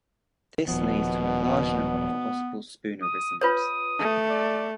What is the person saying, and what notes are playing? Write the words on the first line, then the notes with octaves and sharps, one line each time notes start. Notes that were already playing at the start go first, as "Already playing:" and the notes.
This leads to large number of possible spoonerisms.
D#1 B2 F3 B3
D#6
F4 B4 C#5 D#6
A3
D5